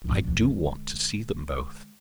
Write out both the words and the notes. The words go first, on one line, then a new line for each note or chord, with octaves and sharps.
"I do want to see them both."
G1 A2
E2 C#3
D3 G#3